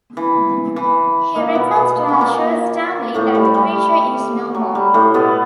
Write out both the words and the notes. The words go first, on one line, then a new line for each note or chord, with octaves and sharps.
He returns to assure Stanley that the creature is no more.
E3
E3
A#2 A#3
B2 B3
B2 B3
A#3
B3
A#2 A#3
A2 A3
G3
G3
F#3
G3
A2 A3
B2 B3